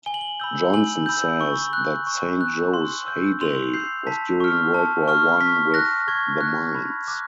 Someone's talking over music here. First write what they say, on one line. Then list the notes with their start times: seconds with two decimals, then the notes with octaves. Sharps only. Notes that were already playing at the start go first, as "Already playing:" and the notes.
Johnson says that Saint Joe's heyday was during World War One with the mines.
0.06 G#5 G7
0.14 F#7
0.21 G7
0.40 B5 E6 G6
0.74 G#5 F#7
1.06 B5 E6 G6
1.41 C#6
1.73 F#6
2.07 C#6
2.41 F#6
2.74 C6
3.06 E6 G6
3.41 C6 F7
3.74 E6 G6 C7
4.07 A5 B6
4.40 C#6 F6
4.74 A5
5.08 C#6 F6
5.41 C#6 B6
5.74 F#6 A#6
6.08 C#6 G#6
6.41 F#6
6.75 B5
7.08 D6 F#6